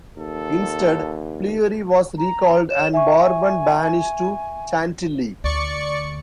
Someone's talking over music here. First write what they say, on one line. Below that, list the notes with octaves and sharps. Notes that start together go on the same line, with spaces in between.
Instead, Fleury was recalled and Bourbon banished to Chantilly.
D#2 A4
A#5
C#5 E7
E5 G#5 C#6
D2 D5 C#6 C#7